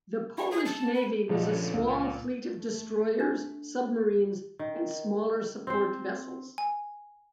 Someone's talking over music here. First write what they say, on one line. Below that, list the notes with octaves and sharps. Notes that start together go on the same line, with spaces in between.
The Polish Navy was a small fleet of destroyers, submarines and smaller support vessels.
C#6
G#4
A5
B5
F#2 A#2 F3 D#4
D3 A3 C#4
C#2
A#2
A3
D4
D#3
C4 C5
G#5